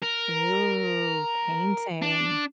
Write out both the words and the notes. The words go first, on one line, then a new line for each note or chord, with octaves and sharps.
Ooh, painting.
A#4
D4